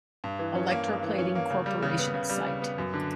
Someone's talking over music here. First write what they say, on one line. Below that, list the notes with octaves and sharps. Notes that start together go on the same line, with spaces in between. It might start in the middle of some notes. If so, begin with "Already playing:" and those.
Electroplating Corporation site.
G2
E3
C#4
A#3
G2
E3
C#4
A#3
C#3
G3
C#3
B3
C#3
G3
C#3
B3
F#2
D3